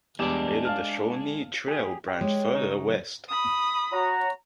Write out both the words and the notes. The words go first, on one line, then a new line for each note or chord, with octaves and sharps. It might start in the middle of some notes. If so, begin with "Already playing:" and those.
Later the Shawnee Trail branched further west.
E2 G3 G#3 D4 E7
F5 A5 F6
G4 G#4
G4
G#3 C#5
C#3 D#4
F#3
B5 D#6
F#4 C#5 A#5